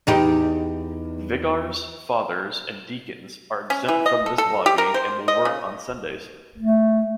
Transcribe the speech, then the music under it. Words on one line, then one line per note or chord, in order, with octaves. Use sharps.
Vicars, Fathers, and Deacons are exempt from this lobbying and will work on Sundays.
E2 D#4 G4
C#4
E3
D#5
A4
A4
G4
A#4
C5
D#5
C#3
A3